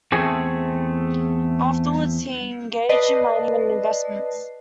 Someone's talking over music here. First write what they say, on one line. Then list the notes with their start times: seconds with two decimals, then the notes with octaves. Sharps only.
Afterwards he engaged in mining and investments.
0.12 E2 A3 C4 G#4 A4
2.89 B4 D5 D#5 A5 C7